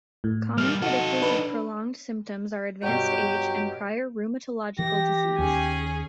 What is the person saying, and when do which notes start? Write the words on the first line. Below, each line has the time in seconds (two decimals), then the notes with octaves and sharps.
Common predictors of prolonged symptoms are advanced age and prior rheumatological disease.
0.24 A2
0.58 G3 A#3 F6
0.82 D#4 F#4 A4
1.22 D4 B4
2.83 G2 B2 F#3 G4 G5
4.79 E3 G4 A#6
5.39 D#2 C#4 G#4 G#5